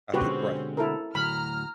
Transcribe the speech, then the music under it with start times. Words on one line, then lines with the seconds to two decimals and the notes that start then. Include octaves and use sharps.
I've Right,
0.14 B2 D3 G#3 C4 C#4 F#4 G4 B4
0.77 E4 A4 A#4
1.15 D2 A2 F#3 A#5 B5 F6